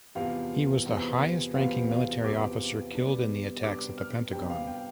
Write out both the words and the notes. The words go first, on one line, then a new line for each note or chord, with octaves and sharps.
He was the highest-ranking military officer killed in the attacks at the Pentagon.
E2 C3 F3 B3 F5
E2 C3 F3 B3
E2 C3 F3 B3 F5
F5
E2 C3 F3 B3 D6
C3 G3 B3 D4
C3 G3 B3 D4 D6
F6
C3 G3 B3 D4 G5
F5
G5